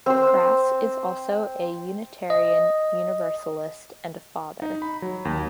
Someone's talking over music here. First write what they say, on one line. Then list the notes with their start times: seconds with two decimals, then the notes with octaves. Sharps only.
Crass is also a Unitarian Universalist and a father.
0.06 C4 C5
2.30 D#5
4.62 D#4
4.82 B5
5.02 F#3
5.25 D#2